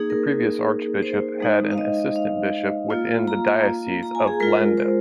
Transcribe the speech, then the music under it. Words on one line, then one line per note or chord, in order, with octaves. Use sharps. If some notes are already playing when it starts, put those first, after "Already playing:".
The previous archbishop had an assistant bishop within the Diocese of Llandaff.
Already playing: A#3 D#4 G#4
A#4
C5
G#3 D#4
F5
D#5
F5
A#3 F4
A#5
A#5
G#5
G#4
G#3 F4 A#4
C5